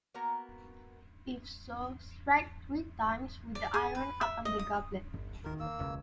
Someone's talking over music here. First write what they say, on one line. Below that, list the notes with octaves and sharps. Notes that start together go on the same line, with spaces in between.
If so, strike three times with the iron upon the goblet.
A#3 B3 F#4 A#4 A#5
D5
G#4
B4
E5
D#5
D#6
G1
D1 D#3 A#4
A#3 E6
E1 C#2 C#3